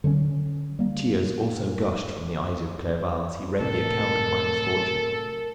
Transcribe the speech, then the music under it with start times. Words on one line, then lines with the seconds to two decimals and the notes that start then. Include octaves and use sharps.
Tears also gushed from the eyes of Clerval, as he read the account of my misfortune.
0.04 D3 F#3 G3 C#4
0.79 G3 A#3
3.60 A2 C3 A4 A#4